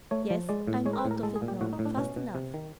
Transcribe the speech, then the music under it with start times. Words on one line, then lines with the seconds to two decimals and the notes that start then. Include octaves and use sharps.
"Yes--I'm out of it now fast enough."
0.11 A3 C#5
0.30 F3
0.49 G#3 D5
0.67 A2
0.86 G#3 C#5
0.93 A#4
0.99 B4
1.05 A2
1.11 A#4
1.23 G#3 A4
1.36 G#4
1.42 A#2
1.48 G4
1.61 A2 F#4
1.73 D#4
1.79 A2
1.85 D4
1.97 B2 C#4
2.16 B2
2.35 C3
2.54 D#3